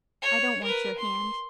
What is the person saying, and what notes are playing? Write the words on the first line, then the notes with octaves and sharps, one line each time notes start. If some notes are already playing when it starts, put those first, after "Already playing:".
I don't want your hand.
C#5
A#4 B4
C6